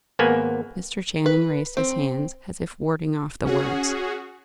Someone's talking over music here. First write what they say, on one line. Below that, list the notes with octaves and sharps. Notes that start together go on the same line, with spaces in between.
Mr. Channing raised his hands, as if warding off the words.
G#1 A#3 B3 G#5
B4
C4
C#4 F#4 G#4